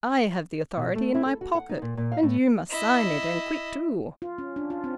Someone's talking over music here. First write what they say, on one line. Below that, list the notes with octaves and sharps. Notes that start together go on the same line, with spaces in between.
I have the authority in my pocket and you must sign it, and quick too!
B2
A3
E4
A4
F#4
F#5
D#4
A#2
A#2
F5
A2
E4 D#5
F4
C#4
D4
F4
C4